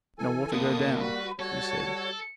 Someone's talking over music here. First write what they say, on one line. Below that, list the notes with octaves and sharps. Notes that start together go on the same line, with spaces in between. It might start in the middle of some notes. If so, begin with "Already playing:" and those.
"No water go down," he said.
E3 A4 G#5
F2 B2 D3 A#3 D#6
G3 F#4 B4
G3 F#4 A4 C#5